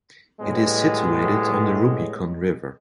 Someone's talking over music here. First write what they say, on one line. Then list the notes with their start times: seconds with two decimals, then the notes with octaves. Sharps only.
It is situated on the Rubicon River.
0.39 A2 G3 G#3 B3